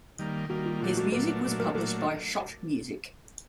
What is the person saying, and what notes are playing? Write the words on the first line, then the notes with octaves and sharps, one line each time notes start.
His music was published by Schott Music.
D#3 G3 A#3
D#3 G3 A#3 F#4
F4
A#2 F#3 A3 D4 F4
F#4
A#2 F#3 A3 D4 B4
A#2 F#3 A3 D4
A#4
A#2 F#3 A3 D4 A4